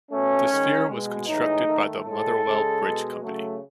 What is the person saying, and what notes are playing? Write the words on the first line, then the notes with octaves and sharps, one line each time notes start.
The sphere was constructed by the Motherwell Bridge Company.
B2 A3 C#4
D#3 G#3
B2 G#3
A2 E3 G#3 D#4
D#3 A3
A2 G#3 A4
C#3 G#3
B2 G#3
C#3 F#3 A3